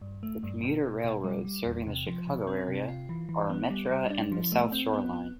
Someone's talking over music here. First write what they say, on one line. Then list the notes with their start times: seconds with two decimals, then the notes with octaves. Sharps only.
The commuter railroads serving the Chicago area are Metra and the South Shore Line.
0.02 G2
0.23 A3
0.43 G2
0.63 B2
0.83 B2
1.04 B2
1.24 G3
1.45 G3
1.66 E2
1.87 C3
2.07 F3
2.27 C3
2.47 C4
2.68 C3
2.88 F4
3.09 E3
3.29 E3
3.50 B3
3.70 G3
3.90 G3
4.10 D4
4.32 F3
4.52 A3
4.72 C4
4.93 B3
5.13 B3